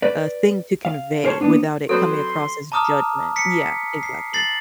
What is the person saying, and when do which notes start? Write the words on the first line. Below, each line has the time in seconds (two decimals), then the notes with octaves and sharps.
uh, thing to convey without it coming across as judgment yeah, exactly.
0.02 B4 D5
0.85 F5
1.25 A#4 C5 C#5 A5
1.41 A#3 B3 D4
1.89 F#3 C4 A4 B4 C6
2.72 A5 A#5 D6 D#6 F6
3.36 B6 C#7
4.03 C7
4.33 A6 C7 F#7